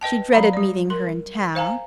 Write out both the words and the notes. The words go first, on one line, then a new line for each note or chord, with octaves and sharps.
She dreaded meeting her in town.
B4 D#5 G5 A5
F#3 F5 A#5 B5
G3 D5
A#4 C6
C5 F5 G#5 A#5